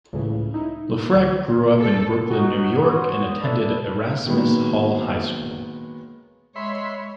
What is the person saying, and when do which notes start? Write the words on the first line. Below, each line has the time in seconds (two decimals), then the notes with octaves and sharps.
LeFrak grew up in Brooklyn, New York, and attended Erasmus Hall High School.
0.13 C#2 A2 C#3 E3
0.54 D#4 E4
1.11 D2 E3 F#4 G#6
1.80 A4
2.30 C#4 D#4 F#4
2.81 B3 F#4 C5 C#5 D#6
3.41 D4 E4 A4 B4 D5
4.26 D#3 F#3 G#3 A#3 B3
6.56 G#3 C#5 E5 B5 C6